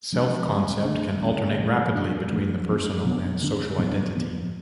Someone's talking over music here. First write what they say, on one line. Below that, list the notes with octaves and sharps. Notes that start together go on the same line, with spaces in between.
Self-concept can alternate rapidly between the personal and social identity.
F3 G#3 D4
D3 G#3 C#4
D3 F3 A3 D4
D3 G#3 C#4
A2 F3 A3
D3 G#3 D4
F3 A3 D4
F3 G#3 B3 D4
B2 F#3 B3 D4
D3 G#3 B3 D4
A2 F#3 B3 D4
A2 F3 B3